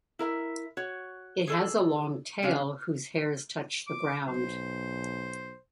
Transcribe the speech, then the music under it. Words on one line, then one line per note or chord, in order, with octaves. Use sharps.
It has a long tail whose hairs touch the ground.
E4 A#4 E5
F#4 C#5
G#4 A4 D5
C#3 C4 D4 F5
D6
B1 C5